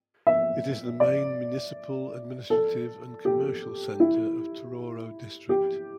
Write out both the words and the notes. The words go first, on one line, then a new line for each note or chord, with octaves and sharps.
It is the main municipal, administrative, and commercial center of Tororo District.
E5
D5
A4
G4
E4
G4